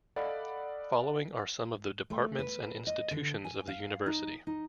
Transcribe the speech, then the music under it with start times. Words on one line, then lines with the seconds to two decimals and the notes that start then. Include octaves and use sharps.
Following are some of the Departments and institutions of the university.
0.16 A4 D5 D#5 F5 F#5 B5
2.10 A3
2.39 B4
2.87 D#5
3.11 D3
3.44 G#5
3.68 F5
4.06 D#4
4.47 D#4